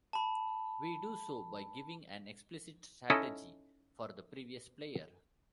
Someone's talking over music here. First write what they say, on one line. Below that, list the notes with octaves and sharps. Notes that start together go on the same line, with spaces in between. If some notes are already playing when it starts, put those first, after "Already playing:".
We do so by giving an explicit strategy for the previous player.
A5 B5
C#4 D#4 E4 A4 D#5